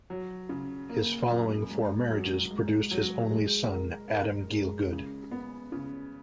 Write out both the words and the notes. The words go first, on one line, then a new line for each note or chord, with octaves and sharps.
His following four marriages produced his only son, Adam Gielgud.
F#3
C#3
A#3
F#2
G#2
F#3
G#2
F#3
G#3
A#4
A#4
G#3
C#3
B3
C#3